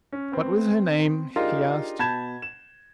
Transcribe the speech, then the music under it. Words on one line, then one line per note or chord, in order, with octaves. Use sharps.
"What was her name?" he asked.
C#4
B3 C4
D4 D#4 F4 G4 G#4 A#4
B2 A5 B5 G6 G#6 E7
E7